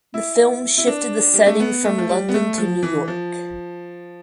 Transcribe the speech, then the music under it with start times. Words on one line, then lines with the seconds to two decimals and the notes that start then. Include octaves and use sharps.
The film shifted the setting from London to New York.
0.14 E4
0.78 E4
0.87 D4
1.34 G3
1.46 A3
1.60 B3
1.84 A3
1.98 F3
2.09 G3
2.29 B3
2.34 A3
2.58 F3
2.83 E3
3.08 F3